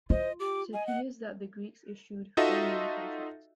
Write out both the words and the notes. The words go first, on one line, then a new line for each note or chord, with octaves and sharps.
It appears that the Greeks issued four main contracts.
F4 C5 D#5
G4 D6
D#5 G#5
F#5
D#4 F4 F#4 A4 D#5 E5